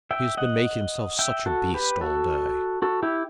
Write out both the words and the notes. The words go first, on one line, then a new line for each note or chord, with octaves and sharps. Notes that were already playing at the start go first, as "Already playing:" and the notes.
He has been making himself such a beast all day.
E5 G5
D#5 F#5
E5 G5
F#4 A4
G4 B4
F#4 A4
F#4 A4
E4 G4